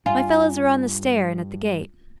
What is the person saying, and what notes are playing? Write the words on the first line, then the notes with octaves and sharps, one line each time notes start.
'My fellows are on the stair and at the gate.
G2 F4 D5 G#5